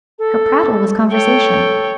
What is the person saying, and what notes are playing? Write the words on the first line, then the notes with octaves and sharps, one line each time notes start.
Her prattle was conversation.
A4
A4 C#5 G5